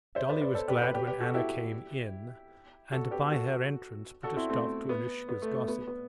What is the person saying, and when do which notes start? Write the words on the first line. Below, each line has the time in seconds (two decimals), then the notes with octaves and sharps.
Dolly was glad when Anna came in, and by her entrance put a stop to Annushka's gossip.
0.15 C5 E5
0.29 B4 D5
0.41 B4 D5
0.55 A4 C5
0.68 G4 B4
0.81 G4 B4
0.94 G4 B4
1.07 G4 B4
1.21 F#4 A4
1.34 E4 G4
2.92 F#4 A4
3.11 G4 B4
3.32 F#4 A4
4.23 F#4 A4
4.36 C4 E4
4.49 A3 C4
4.89 B3
5.29 B3
5.42 A3
5.55 A3
5.68 B3
5.88 B3